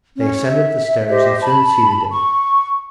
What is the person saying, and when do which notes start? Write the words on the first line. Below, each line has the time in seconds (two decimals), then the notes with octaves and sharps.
They ascended the stairs, and soon seated him.
0.16 C#4
0.46 E5
1.08 G4 C5 D#5 E5
1.41 A5 B5
2.10 C#6